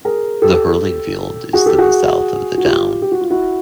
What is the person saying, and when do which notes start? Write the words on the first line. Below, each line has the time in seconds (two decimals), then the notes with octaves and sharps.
The hurling field is to the south of the town.
0.05 G#4 A#4
0.42 G4 A4
1.53 F#4 G#4
1.66 G4 A4
1.78 F#4 G#4
2.58 F#4
2.65 F4 G4
3.02 G4
3.11 F#4
3.21 F4
3.30 E4 F#4